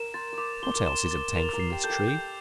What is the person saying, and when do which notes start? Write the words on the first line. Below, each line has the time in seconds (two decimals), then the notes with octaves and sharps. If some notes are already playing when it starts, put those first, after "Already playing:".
What else is obtained from this tree?
Already playing: A#4 E7
0.14 C5 A6
0.33 D5
0.38 C5 D6
0.63 C5 G7
0.75 A#4
0.86 C5 E7
1.11 A6
1.35 A#4 F7
1.53 A#4
1.59 C7
1.71 G4
1.84 A4 G6
1.90 G4
2.08 G6